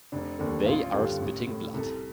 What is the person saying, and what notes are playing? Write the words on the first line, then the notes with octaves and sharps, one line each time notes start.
They are spitting blood.
F1 D4
D#2 D3 D4
A1 F4
G2 D3 G4
A1
A2
C2 A4